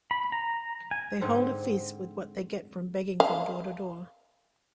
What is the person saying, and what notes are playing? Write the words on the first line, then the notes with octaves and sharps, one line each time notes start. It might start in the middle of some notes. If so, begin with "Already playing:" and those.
They hold a feast with what they get from begging from door to door.
B5
A#5
G#5
G#2 D3 C4
F5